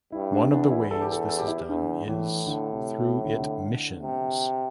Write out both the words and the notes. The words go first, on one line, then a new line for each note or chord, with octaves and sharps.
One of the ways this is done is through it missions.
G2 E4
D4
E2 D4
E4
E2 A4
G4
A4
A4
G4
E4
G4
E2 D4
A2 E3
D3
C3
C3
D3
C3
D3
C3